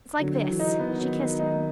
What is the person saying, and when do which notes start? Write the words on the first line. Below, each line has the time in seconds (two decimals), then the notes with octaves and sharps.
"It's like this." She kissed him.
0.19 D3 F#3
0.40 F#3
0.49 E3
0.59 D#4
0.79 D#3 B3
0.99 F#3
1.19 F#3
1.39 D#4